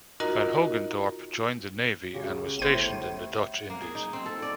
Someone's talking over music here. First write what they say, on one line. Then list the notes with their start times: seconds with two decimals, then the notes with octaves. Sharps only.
Van Hogendorp joined the navy and was stationed in the Dutch Indies.
0.20 D#4 F4 F#4 A#4 D#5 A#5
2.14 C#2 C#3 F#4 G4
2.59 G1 A2 C5 D#7
3.54 F#5
3.70 A#3
3.82 G#4
3.95 D#4
4.13 C4
4.26 A4
4.42 D5